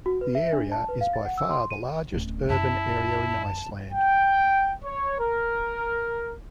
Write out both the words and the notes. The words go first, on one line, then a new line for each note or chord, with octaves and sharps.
The area is by far the largest urban area in Iceland.
F#4
B4
E5
D4
A5
B4
F5
A6
F#5
E6
C6
D#7
D1 C#4
F#2 E4 A5
G5
C#5
A#4